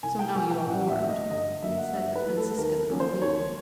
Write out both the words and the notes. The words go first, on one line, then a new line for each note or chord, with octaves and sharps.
"So now you are warned!" said the Franciscan on leaving.
C2 G#5
G5
B2 F#3 B3 G#5
G5
A1 F#5
E5
G#2 D#3 F#3 A3
D#5
G1 D#5
F#2 D3 F#3 A#3 E5
F#5
G2 E5
B4
E3 A3
A4
D#2 A#4
D#3 F#3 A#3 C#4
C5
D#2 C#5